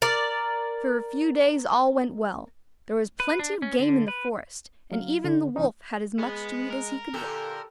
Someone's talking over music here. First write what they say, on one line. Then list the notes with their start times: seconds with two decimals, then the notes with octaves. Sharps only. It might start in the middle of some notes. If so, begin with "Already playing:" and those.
For a few days all went well; there was plenty of game in the forest, and even the wolf had as much to eat as he could wish.
0.02 A#4 D5
3.20 B4
3.39 D4
3.62 C#4
3.79 D3
4.08 B4
4.92 F#3 F5
5.24 D3
5.56 C2 E3 C#4 D#4
6.18 G#3 B3
6.70 A#4
7.14 A#2 D3 G4 A4